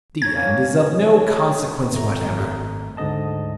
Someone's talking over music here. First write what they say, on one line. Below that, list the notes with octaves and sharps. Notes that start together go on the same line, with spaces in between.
The end is of no consequence whatever.
C#5 A#5 G#6
A#3 C#4
G#1 A3 A#5
D2 G#2 D3 D#5 A5